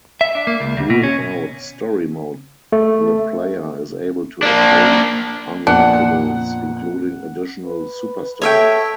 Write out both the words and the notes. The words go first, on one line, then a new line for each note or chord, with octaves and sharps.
Throughout Story Mode, the player is able to attain unlockables, including additional superstars.
E5
D4
A#3
C#2
D2
B2
C#4
A3
A#3 D4
F2 A#2 B3 D4 F#5
B4
A4 C#5 E5 G5